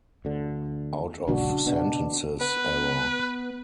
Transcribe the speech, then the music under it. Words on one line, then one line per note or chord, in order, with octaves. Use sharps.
Out of sentences error.
D2 D3
D#1 A#1 C#3 D4 F#4
B2 D4
B3 B4